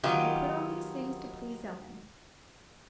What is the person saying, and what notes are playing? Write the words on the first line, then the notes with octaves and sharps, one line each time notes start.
But I put on these things to please Ellen.
D#3 F#3 B3 D#4 F4 G4